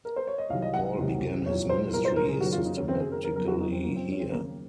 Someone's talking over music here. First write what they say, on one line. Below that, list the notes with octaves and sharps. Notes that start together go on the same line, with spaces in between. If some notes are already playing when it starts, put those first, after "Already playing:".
Paul began his ministry systematically here.
A#4
C5
C#5
D#5
C2 C3 D#3 F#3 F5
D#5
F#5
C2 C3 D#3 F#3
C2 A#2 F#3 C#5
C5
C2 A#2 F#3 A#4
C5
A#4
G#4
F#1 F#2 D#3 F#3 F#4
F4
D#4
C#4
F#1 F#2 D#3 F#3 C4
G#4
A#4
A#4
F#1 F#2 F3 A#4
F#4
D#4
C4
F#1 F#2 F3 A#3
C4
C#4
C4
D#2 C#3 F#3 A#3